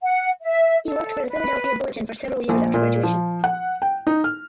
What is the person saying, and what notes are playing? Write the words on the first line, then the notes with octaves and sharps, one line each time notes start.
He worked for the "Philadelphia Bulletin" for several years after graduation.
F#5
E5
A4
B4
A#1
A#2
F3
F#5
G5
D#4
F6